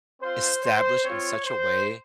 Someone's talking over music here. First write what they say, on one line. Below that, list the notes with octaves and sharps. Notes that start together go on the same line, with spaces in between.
established in such a way
C4 F4 C5
C5
C4 F4 C#5
C5